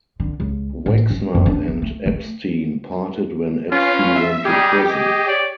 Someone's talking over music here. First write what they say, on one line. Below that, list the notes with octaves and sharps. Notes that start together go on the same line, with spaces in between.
Wexner and Epstein parted when Epstein went to prison.
D3
C#2
A1
C#4
F#2
D4
D#3
A3
A3
C#4 F4 B4 F5
E5
G3 D#4 G4 G#4
G#4 D#5
C#5 D5